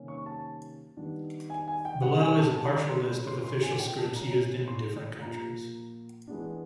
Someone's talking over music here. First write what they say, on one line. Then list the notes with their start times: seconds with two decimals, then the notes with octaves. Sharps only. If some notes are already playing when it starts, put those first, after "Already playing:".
Below is a partial list of official scripts used in different countries.
Already playing: C3 D#3 G3 A#3 C#4
0.08 C#6
0.26 A5
0.97 D#3 G3 B3 D4
1.50 G#5
1.68 G#5
1.85 G5
2.02 C3 D#3 G3 F#5
2.20 G#5
2.39 A5
2.55 A5
2.73 A#5
2.91 C6
3.08 F3 G#3 C#4 B5
3.27 C6
3.44 C6
3.62 G#5
3.80 G5
3.98 A5
4.15 F3 G#3 C#4 A#5
4.68 C6
5.21 A#2 F3 A#3 A#5
6.27 E3 G#3 B3 D4